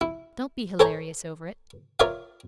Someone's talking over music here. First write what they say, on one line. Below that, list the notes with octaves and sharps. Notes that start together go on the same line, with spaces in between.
'Don't be hilarious over it.'
E4
A4 C5 C#5 G#5 A#5 C#6
F4 A#4 C#5 D5 E5 F5